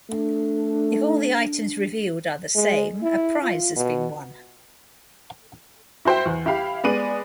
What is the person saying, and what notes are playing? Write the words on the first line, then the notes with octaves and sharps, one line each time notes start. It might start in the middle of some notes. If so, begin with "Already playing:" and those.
If all the items revealed are the same, a prize has been won.
A3 D4
G#3
E4
F4
B2
E4 F#4 C5 E5 G5
E2
E4 G4 F5 B5
G#3 B3 D5 D#7 F#7